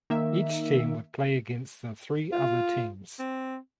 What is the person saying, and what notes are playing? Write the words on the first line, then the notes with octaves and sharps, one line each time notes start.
Each team would play against the three other teams.
D#3 A#3 E5
F4
C4